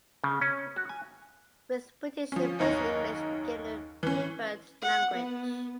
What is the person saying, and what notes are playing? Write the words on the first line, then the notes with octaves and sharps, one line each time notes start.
With British influence, English became the preferred language.
C#3
C#4
F#4
G#5
F3 C#4
F#1 D#2 D#4 C#5 A#6
E3 C#4
F#5
B3